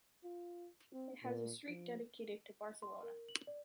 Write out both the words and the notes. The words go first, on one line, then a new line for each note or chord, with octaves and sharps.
It has a street dedicated to Barcelona.
F4
C4
A#2
F3
C6
A#4
F#7
D5